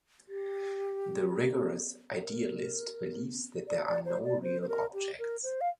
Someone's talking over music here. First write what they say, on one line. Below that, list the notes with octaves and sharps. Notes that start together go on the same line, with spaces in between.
The rigorous idealist believes that there are no real objects.
G4
A#4
D5
D5
C5
D5
C5
C5
A#4
G4
A#4
C5
F5